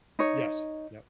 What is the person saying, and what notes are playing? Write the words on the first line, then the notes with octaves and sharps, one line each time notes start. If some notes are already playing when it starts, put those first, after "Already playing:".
Yes. Yep.
D#4 C#5